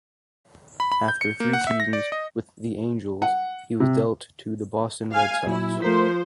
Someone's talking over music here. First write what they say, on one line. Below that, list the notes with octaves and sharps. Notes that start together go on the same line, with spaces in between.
After three seasons with the Angels, he was dealt to the Boston Red Sox.
B5
B5
G6
C#7
A#3
F#5
E5
A#6
D5
D#5
F#5
C3
F5 G#5
A#2 F#3 E4
F3 A3 A#4 C5 B6